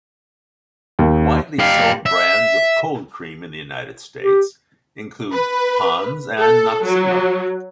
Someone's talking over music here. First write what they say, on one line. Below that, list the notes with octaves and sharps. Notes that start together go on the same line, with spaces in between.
Widely sold brands of cold cream in the United States include Pond's and Noxzema.
D#2
G4 F5
E5
G4
B4
A4
F#3